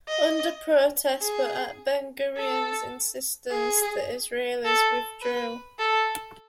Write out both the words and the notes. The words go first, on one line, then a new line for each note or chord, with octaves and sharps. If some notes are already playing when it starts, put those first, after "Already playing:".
Under protest but at Ben-Gurion's insistence, the Israelis withdrew.
D#5
G#4
A4
G#4
A4
B4
A4